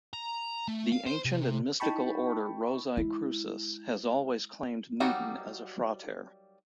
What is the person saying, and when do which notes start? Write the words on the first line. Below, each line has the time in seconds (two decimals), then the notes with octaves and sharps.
The Ancient and Mystical Order Rosae Crucis has always claimed Newton as a frater.
0.13 A#5
0.68 A3
0.92 F5
1.06 C5
1.25 C3
1.80 D#4 E4 G5 A5 B5 C#6
2.97 G#3 E4
5.00 F#3 G3 A#3 D#4 F#4